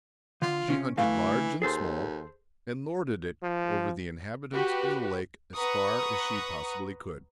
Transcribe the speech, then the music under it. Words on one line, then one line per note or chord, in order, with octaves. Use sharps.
She hunted large and small, and lorded it over the inhabitants of the lake as far as she possibly could.
D3 F4
C3 C#4
D2 E3 A3 F5
D#2 G#4 A4 C5
F3
F#4 G4 B4
B4 F#5 A#5 C#6 D#6